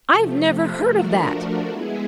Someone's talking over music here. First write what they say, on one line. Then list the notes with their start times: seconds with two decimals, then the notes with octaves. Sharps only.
I've never heard of that.
0.10 C3 F3 A3
0.89 F3 A3 D4 F#4 A#4
1.69 G#3 B3 E4 G#4